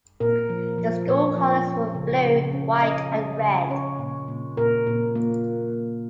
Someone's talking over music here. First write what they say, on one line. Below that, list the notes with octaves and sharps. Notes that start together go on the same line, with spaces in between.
The school colors were blue, white and red.
A#2 A#4
F3
F3
A#2 C#5
F3
C#4
C#3
C#3
C#4
C#4 D#5
C#4
C#3
C#4 C#5
A#2
A#2
A#2 A#4
A#2
A#3